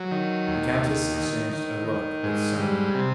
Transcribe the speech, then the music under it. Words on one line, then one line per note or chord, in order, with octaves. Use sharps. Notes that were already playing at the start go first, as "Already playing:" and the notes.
The countess exchanged a look with Sonya.
Already playing: F#3
D#3
D#2
D#3
D#3
D#3
D#3
G#2
G3
C3